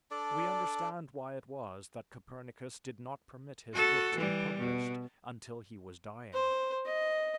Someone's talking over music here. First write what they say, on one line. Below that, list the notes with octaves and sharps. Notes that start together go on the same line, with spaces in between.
We understand why it was that Copernicus did not permit his book to be published until he was dying.
D4 A4 D5
F#4 A4
E3 G3
B2
C5
D#5